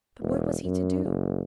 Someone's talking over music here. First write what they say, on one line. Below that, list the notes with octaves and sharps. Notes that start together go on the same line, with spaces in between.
But what was he to do?
E1
F#2
F#1